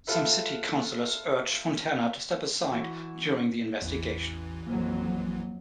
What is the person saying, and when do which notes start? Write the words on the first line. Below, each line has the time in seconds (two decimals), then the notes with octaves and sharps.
Some city councillors urged Fontana to step aside during the investigation.
0.07 F4 A4 B4 E5
2.71 E3 F#4
3.28 C#4 D#4 C#5
3.82 A1 E2 E3
4.67 F2 F#3 A#3